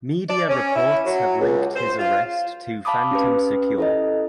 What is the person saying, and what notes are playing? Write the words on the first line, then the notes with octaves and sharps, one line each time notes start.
Media reports have linked his arrest to Phantom Secure.
D5
C#4
E4
F#3
C#2
C5
F4
F5 A5 B5 D6 D#6
C#4 G4 B4
E4 A4 D#5